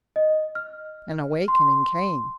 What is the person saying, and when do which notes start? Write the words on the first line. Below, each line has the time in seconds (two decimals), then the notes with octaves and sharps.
An awakening came.
0.16 D#5
0.55 F6
1.48 C6